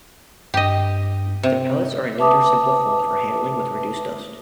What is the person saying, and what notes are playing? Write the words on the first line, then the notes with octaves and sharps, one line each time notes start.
The pellets are a neater, simpler form for handling, with reduced dust.
G2 G4 D#5
C3
B4 E5 A5 D6 D#6